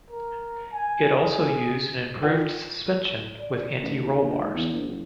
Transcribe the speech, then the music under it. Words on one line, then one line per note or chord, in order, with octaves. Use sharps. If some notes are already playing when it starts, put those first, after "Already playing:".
It also used an improved suspension with anti-roll bars.
A#4
G#5
G#4
F4 A#4 B4 D5 F#5 G5
D5
A1
D#2
A#1
G#2
E2
A#1
F#1